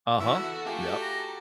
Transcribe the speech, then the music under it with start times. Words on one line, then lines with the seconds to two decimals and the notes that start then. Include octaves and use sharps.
Uh-huh, yep.
0.20 E2 E3 F#4 A4 E5
0.65 A3 F4 G4 G#4
1.02 A#5